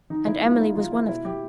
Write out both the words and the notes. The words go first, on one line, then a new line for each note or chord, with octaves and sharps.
And Emily was one of them.
D#3 D#4
D#3 E4
G#3 F4
D#4
G#3 E4
D#3 F4
G#3 E4
B2 E4
G4